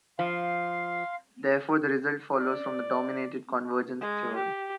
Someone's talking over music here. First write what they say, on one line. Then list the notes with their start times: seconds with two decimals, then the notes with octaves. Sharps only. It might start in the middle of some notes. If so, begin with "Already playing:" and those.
Therefore the result follows from the dominated convergence theorem.
0.19 F3 F5 C6
2.41 D5
4.00 G#3
4.36 G4